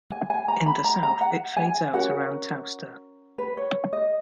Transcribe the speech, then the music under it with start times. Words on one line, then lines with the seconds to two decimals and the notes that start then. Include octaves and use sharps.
In the south, it fades out around Towcester.
0.12 G#5
0.30 G#5
0.48 A#5
0.66 B5
0.84 A#5
1.03 A#5
1.21 F#5
1.57 G#5
1.93 C#4 F#4 A#4 F#5
3.38 B4
3.57 C#5
3.93 D#5